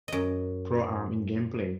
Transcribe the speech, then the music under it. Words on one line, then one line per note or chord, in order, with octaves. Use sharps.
Pro-Am in gameplay.
F#2 D#5